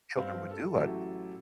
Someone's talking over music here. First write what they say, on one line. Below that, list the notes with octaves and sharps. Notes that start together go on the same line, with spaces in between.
children would do, I'd
G2 C4 F5
A4
A1 F#3 E4 G4 A4